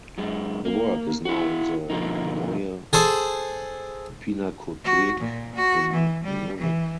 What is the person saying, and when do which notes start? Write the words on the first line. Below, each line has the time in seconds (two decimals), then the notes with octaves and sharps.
The work is now in the Neue Pinakothek in Munich.
0.18 F#2 G#3
0.65 A#3
1.25 E4 F#4
1.90 B2 D3 F3 A#3 D#4
2.93 G#4 A4 C5
4.85 F#4
5.20 A#2
5.55 F#4
5.94 E3
6.24 G3
6.58 E3